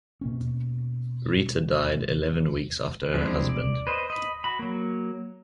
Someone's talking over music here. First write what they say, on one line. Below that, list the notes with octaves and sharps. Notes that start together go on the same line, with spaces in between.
Rita died eleven weeks after her husband.
B2 A#3 C#4
F3 G#3 C4 D4 E4
D5
B4 C5 D#5
D#5 B5
F#4 B5
F#3 A#3